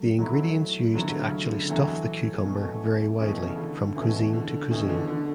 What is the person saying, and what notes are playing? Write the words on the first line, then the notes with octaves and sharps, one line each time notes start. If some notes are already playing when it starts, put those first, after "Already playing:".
The ingredients used to actually stuff the cucumber vary widely from cuisine to cuisine.
Already playing: F#3 A3
F#3 A3 E4
D3 F#3 A3 E4
C#3
D3
E3 F#3 A3 E4
B2 A3 C#4
B2 E3 A3 C#4
C#3
D3
B2 E3 A3 C#4
D3
B2 E3 A3 C#4
D3
D3